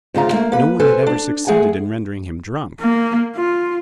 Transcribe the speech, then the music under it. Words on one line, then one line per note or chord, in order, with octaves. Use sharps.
No one had ever succeeded in rendering him drunk.
D2 C#3 F4 A#5
A3 A#3
A#3 B4
A4 B4 C5 G#5
D4
A3 G#4 F#5 G#5
A#3
F4